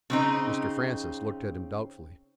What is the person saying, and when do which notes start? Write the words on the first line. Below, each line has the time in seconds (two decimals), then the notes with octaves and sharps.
Mr. Francis looked at him doubtfully.
0.10 C#3 C4 D#4